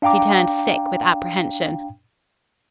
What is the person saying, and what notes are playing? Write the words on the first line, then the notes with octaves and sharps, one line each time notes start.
She turned sick with apprehension.
D4 F5 G5 A#5 D6